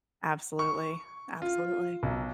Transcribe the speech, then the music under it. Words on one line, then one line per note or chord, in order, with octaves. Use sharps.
Absolutely. Absolutely.
C#6
F4
B1